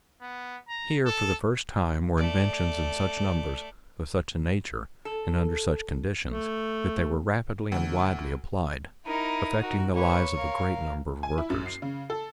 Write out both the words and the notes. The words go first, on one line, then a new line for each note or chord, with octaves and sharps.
Here for the first time were inventions in such numbers, of such a nature, and under such conditions, that they were rapidly and widely applied, affecting the lives of a great number of workers.
B3
A#5
A4
A3 D5
A4
A3
D2
D#4 E4 A#4
F#4 A#4
A#3 B4 C#5
A#4 F5
G#5
E4
F#2
C7
C#3
A4